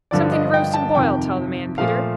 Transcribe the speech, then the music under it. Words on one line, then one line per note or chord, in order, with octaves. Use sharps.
"Something to roast and boil, tell the man, Peter."
G2 D3 F3 D5
D#5
G5
A5
F2 C3 D#3 G5
A#2 F3 A3 F5